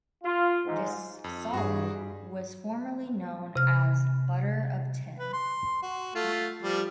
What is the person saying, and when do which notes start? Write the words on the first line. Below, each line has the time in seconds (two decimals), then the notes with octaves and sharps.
This solid was formerly known as "butter of tin".
0.24 F4
0.66 G#2
1.24 F2
1.53 G2 F#4 G#4
3.56 C3 F6
5.19 B4
5.33 C6
5.82 F#4
6.15 A3 F4
6.62 F3 G3